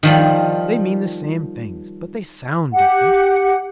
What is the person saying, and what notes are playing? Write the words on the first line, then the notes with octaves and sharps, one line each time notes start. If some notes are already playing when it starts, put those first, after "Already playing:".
They mean the same things, but they sound different.
D#3 F3 G3
G4 F#5